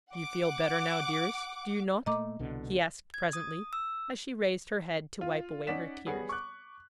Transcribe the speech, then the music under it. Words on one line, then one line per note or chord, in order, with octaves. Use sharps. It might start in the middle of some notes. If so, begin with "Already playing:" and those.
"You feel better now, dearest, do you not?" he asked presently, as she raised her head to wipe away her tears.
F#5 D6
A#2 A3 A#3 D#5 A#5 D6
C2 B2 D3
G#6
D#6
E6
F4
C#4 D#4 D5 F#5 B6 E7
G3 B3 G#4 C#5 F#5
C#6 D6 F#6